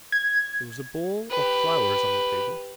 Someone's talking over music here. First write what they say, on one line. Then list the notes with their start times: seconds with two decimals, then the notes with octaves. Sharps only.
There was a bowl of flowers on the table.
0.12 G#6
1.30 G4 B4